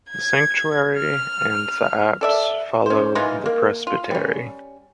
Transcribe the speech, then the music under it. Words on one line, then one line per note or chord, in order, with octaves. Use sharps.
The sanctuary and the apse follow the presbytery.
G#6
F6
A4 D5 E5
C#4 C5
E3 G#3 D#4 F4
A#3
F4
G3 C#4